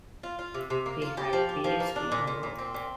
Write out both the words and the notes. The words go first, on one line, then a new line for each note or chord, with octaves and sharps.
He had a PhD in law.
F4
F4
C3
C3
A#3
F4
G4
F3
G4
F3
A#3
D4
A#2
A#2
A#2
C4
A#2